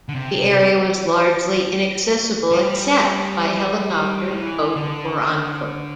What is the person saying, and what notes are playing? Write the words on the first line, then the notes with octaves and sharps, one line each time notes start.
The area was largely inaccessible except by helicopter, boat or on foot.
D3
C3
G3
E3
D3